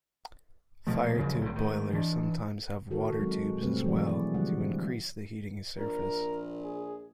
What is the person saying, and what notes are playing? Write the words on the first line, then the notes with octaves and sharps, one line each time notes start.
Fire-tube boilers sometimes have water-tubes as well, to increase the heating surface.
B2 F3 A3
D#2 C#3 F3 F#3
A#1 E2 C#3
A2 D#3
E3 D4
D#3 F#4 A4 A#4
F#3 G#3 C4
B2 G3 A3 C4 G4 B4
E3 F#3 F#4 A#4 D5
F3 E4 G#4 D5
D3 F3 G3 G#3 F#5
A#1 A#4
G#4